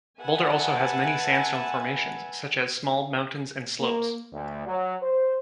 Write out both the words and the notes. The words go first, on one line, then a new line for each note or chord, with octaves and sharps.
Boulder also has many sandstone formations, such as small mountains and slopes.
B4 E5 F#5 G#5 A5
A#3
D2
F#3
C5